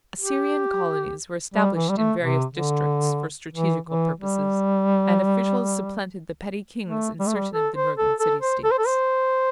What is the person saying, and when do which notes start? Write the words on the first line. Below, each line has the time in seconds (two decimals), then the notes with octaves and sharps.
Assyrian colonies were established in various districts for strategical purposes, and officials supplanted the petty kings in certain of the northern city States.
0.20 G4
1.54 G3
1.76 E3
1.89 G3
1.98 A3
2.21 C3
2.54 D3
3.54 E3
3.87 E3
4.20 G3
6.86 A3
7.20 G3
7.27 A3
7.35 G3
7.53 A4
7.75 C5
7.98 A4
8.20 A4
8.41 C5
8.64 A4
8.71 C5
8.78 A4
8.87 C5